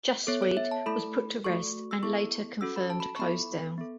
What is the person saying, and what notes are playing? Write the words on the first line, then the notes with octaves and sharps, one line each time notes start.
"JustSweet" was put to rest, and later confirmed closed down.
B3 A4 C#5
C#5
E5
A5
A3 E4 A4 B5
A3 F#4 A4 C#6
E6
B3 E4 A4 C#6
C#4 F#4 A4 E6
B5
A5
B5
C#6
B3 E4 A4 B5
B3 A4